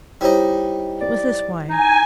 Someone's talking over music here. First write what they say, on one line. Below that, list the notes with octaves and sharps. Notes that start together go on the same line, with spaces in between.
It was this way.
G3 D#4 E4 C5 C#5
D5
D#4 G#5